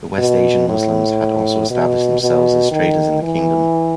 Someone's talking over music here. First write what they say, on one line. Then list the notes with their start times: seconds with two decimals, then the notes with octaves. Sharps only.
The West Asian Muslims had also established themselves as traders in the kingdom.
0.18 B2
0.69 A2
1.70 B2
2.21 B2
2.71 D#3
3.23 E3